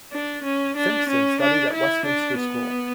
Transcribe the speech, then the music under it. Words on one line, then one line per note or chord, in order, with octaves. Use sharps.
Simpson studied at Westminster School.
D4
C#4
D4
C#4
D4
E4
D4
B3